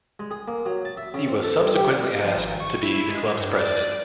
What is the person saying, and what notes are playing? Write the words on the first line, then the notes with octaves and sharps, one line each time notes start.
He was subsequently asked to be the club's president.
G#3
G#4
A#3
F#3
A5
E5
C#3
C4
A4
G2
G4
C2
F3
G#1
C#6
E4
G#3
A2
G2
D5